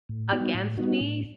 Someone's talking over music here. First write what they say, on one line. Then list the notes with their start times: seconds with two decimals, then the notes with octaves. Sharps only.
against me s
0.09 A2
0.32 G3 B3 D#4 F#4
0.54 A2
0.77 G3 B3 D#4 F#4
1.01 A2